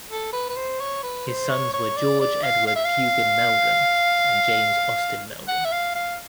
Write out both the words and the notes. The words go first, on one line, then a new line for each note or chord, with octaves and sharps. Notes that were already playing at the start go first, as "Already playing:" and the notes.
His sons were George Edward Pugin Meldon and James Austin Meldon.
A4
B4
B4
C5
C#5
B4
C5
C#5
C#5
D5
D5
F5
F5
E5
F5
F#5
E5
F5
F5